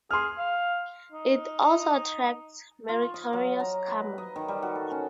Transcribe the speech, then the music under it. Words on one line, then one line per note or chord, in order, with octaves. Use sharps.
It also attracts meritorious karma.
G#4 C6 F6
F5
D#4
F4
C#6
D#5
F#3
A#5
B4
D#5
D#3
G3
F#4
A4
C#4